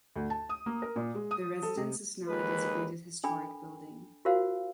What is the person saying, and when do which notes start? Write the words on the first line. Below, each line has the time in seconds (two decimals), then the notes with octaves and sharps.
The residence is now a designated historic building.
0.16 D2
0.30 A5
0.49 D#6
0.66 A#3
0.82 A#4
0.96 A#2
1.15 G#3
1.31 D#6
1.62 A4
1.77 C3
2.27 D#2 G#3 B4
3.24 D4 A4 G5 G#5 B5
4.25 F4 F#4 A#4 C5 F5 F#5